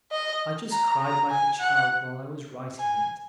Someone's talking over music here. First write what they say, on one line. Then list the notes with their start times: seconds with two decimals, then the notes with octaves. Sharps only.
I just cried like a child while I was writing it.
0.12 D#5
0.71 A#5
1.01 A#5
1.30 G#5
1.60 F#5
2.79 G#5